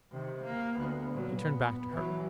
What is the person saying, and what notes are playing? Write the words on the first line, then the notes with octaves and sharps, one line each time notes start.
He turned back to her.
C3 D#3
A#3
D2 B3
A#2 F#3
B3
E3 F#3